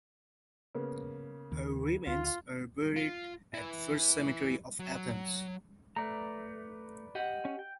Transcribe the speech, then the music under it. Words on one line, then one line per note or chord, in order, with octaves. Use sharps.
Her remains are buried at First Cemetery of Athens.
C#3 A#3 B3
D#2 D#3
D2 F4
F4
E4 B4
F#3
A3 B4 D5 A#5
G4 D#5 F#5
C#4
G5